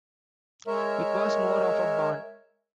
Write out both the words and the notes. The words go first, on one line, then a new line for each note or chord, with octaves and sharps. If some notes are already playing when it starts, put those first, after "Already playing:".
It was more of a barn.
G#3 A#4 C#5 E5